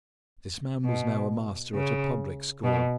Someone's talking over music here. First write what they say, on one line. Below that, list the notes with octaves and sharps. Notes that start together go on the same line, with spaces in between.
This man was now a master at a public school.
B2
C#3
B2